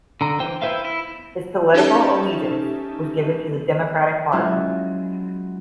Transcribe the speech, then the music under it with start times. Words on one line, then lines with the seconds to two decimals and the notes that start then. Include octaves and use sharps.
His political allegiance was given to the Democratic party.
0.21 D3 A#5
0.40 E3 C5 G5
0.62 E4 B4 C5 E5 F5
0.85 E4
1.74 C#4 D#4 G4 A4 E5 A5
4.32 F#3 G#3 C#4 E4 F4